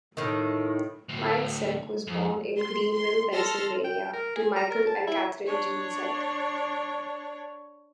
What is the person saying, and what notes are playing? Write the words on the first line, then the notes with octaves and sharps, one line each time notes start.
Mike Zeck was born in Greenville, Pennsylvania, to Michael and Kathryn Jean Zeck.
A2 D#3
D2 A2
F2
C6
C6
A4 C6 F6 A#6
G5
A#4
G#4
A#5
A#4
A5
E4
D4 C#5